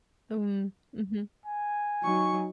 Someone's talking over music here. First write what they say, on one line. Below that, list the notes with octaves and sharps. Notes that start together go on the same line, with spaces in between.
Mm, mhm.
G#5
F#3 D#4 C#6